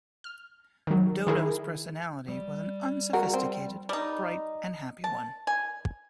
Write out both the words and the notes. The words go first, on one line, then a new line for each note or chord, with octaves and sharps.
Dodo's personality was an unsophisticated, bright and happy one.
F6
D#3 F#3
D#3 E4 G#4 A#4
G3
F#4 A#4
C4
G3 D#4
A5
G#5